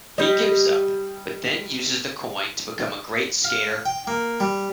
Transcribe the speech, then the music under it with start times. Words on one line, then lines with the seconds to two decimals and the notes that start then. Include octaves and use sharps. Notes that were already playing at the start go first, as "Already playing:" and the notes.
He gives up, but then uses the coin to become a great skater.
0.18 G3 D#5
3.45 F5
3.85 G5
4.07 A#3
4.40 G3